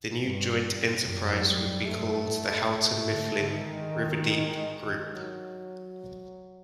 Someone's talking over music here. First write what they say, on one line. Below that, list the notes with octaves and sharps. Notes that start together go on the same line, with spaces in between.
The new joint enterprise would be called the Houghton Mifflin Riverdeep Group.
G2 G3
F#2
G2 A3
G#2
D3
D#3 G#3
F#3